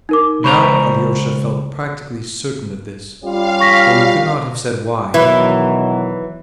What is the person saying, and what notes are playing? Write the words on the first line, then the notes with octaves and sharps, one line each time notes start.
Now Alyosha felt practically certain of this, though he could not have said why.
D#4 A#4 D6
C#2 C5 A#5 B5 C#6
G3 C#4 F4 F5
C#6 A#6 B6
B2 D#3 E3 F#3 E4 B5